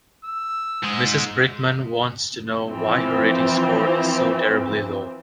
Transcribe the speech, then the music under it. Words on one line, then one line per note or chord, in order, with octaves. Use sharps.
Mrs Brickman wants to know why her rating score is so terribly low.
E6
G#2 G#3
E3 F3 C4